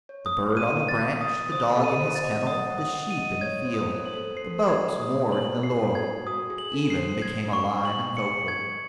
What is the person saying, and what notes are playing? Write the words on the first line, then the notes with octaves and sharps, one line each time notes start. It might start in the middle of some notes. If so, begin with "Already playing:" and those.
The bird on the branch, the dog in his kennel, the sheep in the field, the boats moored in the Loire, even, became alive and vocal.
C#5
D#6
D#7
A6
D#6
C5 D#6
A4
D#7
C5
A6
D#5
F#5 D#6
F#5
D#6
F#5
D#7
D#5
C#5 G#6
C5
D#6
C5
F#7
A4
C5 C7
A4
C5
G#6
D#6
C#5 F#7
C7
A4
G#6
F#4 D#6
G#4
F#7
A4
C7
C5
G#6
C#6
F#7
C#7
G#6